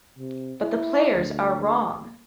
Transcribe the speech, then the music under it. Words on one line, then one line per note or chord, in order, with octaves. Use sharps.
But the players are wrong.
C3
E4
D2